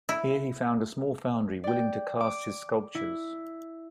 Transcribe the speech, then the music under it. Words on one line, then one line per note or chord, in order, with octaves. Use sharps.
Here he found a small foundry willing to cast his sculptures.
E4
D5 G5
D6
E4